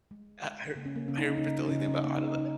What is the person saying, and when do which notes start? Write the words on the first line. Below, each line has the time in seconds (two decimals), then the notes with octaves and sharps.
uh, I r I remember the only thing about Out of the
0.11 G#3
0.44 G#3
0.75 C#3 A#3
0.86 C#4
0.96 A#3
1.08 C#3 C#4
1.18 D#4
1.28 C#4
1.37 C#3 D#4
1.48 C#4
1.58 D#4
1.68 C#3 C#4
1.79 D#4
1.88 C#4
1.99 D#4
2.04 A#3 C#4
2.18 D#4
2.28 C#4
2.36 C#3 D#4